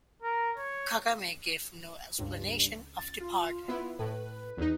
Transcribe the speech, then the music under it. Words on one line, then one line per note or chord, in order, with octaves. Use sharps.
Kagame gave no explanation of the pardon.
A#4
C#5
C#2 G2
A6
F4
B3 E4
A2 B4
E2 D#4